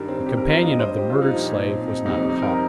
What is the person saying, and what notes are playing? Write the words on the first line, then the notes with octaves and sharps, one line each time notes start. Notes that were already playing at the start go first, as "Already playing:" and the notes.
The companion of the murdered slave was not caught.
Already playing: G2 D#3 G3 A#4
C4
G4
A#4
F4
G2 G3 D#5
C5
G4
F4
D#4
A#2 F3
C4
D#4
F2 C3 G3 D#4
C4
D#4
A#4